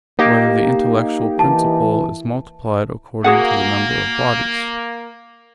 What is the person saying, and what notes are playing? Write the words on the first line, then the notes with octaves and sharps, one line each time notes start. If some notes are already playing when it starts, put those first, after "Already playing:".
Whether the Intellectual Principle Is Multiplied According to the Number of Bodies?
A#3 D#4 G4
E3 A5
A#3 F#4 G#4 F#5